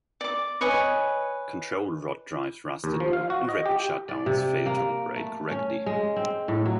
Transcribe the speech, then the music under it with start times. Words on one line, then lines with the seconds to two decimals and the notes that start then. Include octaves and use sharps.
Control rod drives rusted, and rapid shutdowns failed to operate correctly.
0.21 D5 D6
0.61 B4 C#5 D#5 G#5
2.84 D#2
3.00 F3
3.13 F5
3.30 F#4
3.49 D#5
3.66 G4
4.09 D5
4.26 C3
4.66 A#3
5.16 A3
5.51 C#4
5.86 G#3
6.16 C4
6.48 A2
6.66 F#3